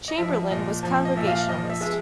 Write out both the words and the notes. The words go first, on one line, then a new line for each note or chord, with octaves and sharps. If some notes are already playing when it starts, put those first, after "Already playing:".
Chamberlain was Congregationalist.
D#5
F3 E5
A#2 D#5
F3
D#5
A#2 E5
D#5 F5
F3 D#5
E5
G#3 E5